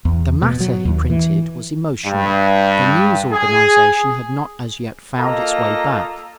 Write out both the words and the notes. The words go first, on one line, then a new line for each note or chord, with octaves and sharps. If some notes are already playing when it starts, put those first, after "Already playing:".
The matter he printed was emotional; the news organisation had not as yet found its way back.
E2
B2
F#3
D#2
E3
G2
G#4
A#3 F4 A4 D#5 A#5